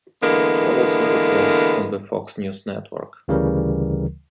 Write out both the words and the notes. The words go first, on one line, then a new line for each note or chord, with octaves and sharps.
She also reports on the Fox News Network.
D3 E3 G#3 A#3 B3
D2 C#3 E3 G3 A#4